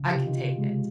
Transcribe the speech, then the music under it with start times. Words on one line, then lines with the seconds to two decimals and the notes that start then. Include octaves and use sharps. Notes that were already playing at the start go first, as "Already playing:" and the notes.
I can take it.
Already playing: C#3
0.10 C3 G4
0.19 F4
0.27 D#4
0.35 C3 F4
0.58 G#3